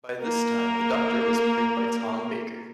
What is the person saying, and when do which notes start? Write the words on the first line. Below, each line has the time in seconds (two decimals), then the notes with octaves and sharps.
By this time the Doctor was played by Tom Baker.
0.23 A#3 A#4